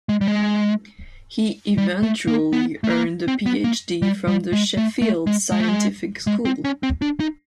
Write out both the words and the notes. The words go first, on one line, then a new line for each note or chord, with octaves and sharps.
He eventually earned a Ph.D. from the Sheffield Scientific School.
G#3
G3
G#3
G3
A3
A#3
B3
A3
A#3
C4
B3
A#3
G3
G3
G#3
A3
A3
G#3
G#3
A3
G#3
G#3
C4
C#4
C4
D4
D#4